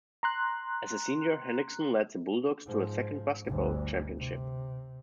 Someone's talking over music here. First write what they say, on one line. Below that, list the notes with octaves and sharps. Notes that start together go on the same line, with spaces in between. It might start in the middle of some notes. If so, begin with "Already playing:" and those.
As a senior, Hendrickson led the Bulldogs to a second basketball championship.
A#5 C6 F#6
G#2 F3
G1 D2
C3